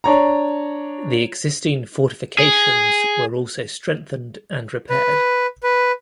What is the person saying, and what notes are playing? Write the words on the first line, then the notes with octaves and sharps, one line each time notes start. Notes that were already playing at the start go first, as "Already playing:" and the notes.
The existing fortifications were also strengthened and repaired.
D4 C#5 A#5
G#4
B4
B4